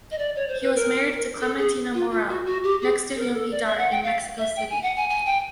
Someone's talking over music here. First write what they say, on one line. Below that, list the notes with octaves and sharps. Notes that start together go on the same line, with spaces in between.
He was married to Clementina Maurel, next to whom he died in Mexico City.
D#5
D5
C#5
C5
B4
A#4
A4
G#4
F4
F4
F#4
F#4
G4
G#4
A#4
A4
D5
E5
F#5
G5
F5
E5
G5
G#5
F#5
G#5
G#5
G5